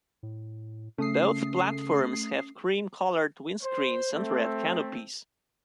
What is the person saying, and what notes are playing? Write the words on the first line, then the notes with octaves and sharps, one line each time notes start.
Both platforms have cream-colored windscreens and red canopies.
A2
C#3 A3 C#4 D#6 C7
C5
A3 C4